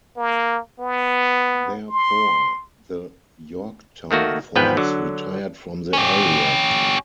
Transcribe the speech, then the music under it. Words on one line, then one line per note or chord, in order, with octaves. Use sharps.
Therefore, the "Yorktown" force retired from the area.
A#3
B3
C6
D#3 A3 A#3 F#4
G#1 G#2 F3 B3 B4 G5
D3 F#3
C#4 G4